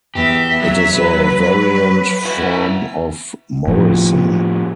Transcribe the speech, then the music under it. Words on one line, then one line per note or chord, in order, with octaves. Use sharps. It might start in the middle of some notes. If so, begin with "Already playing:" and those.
It is a variant form of Morrison.
E2 G4 E5
F#3 E5
B4
E4 F#4
A2 F3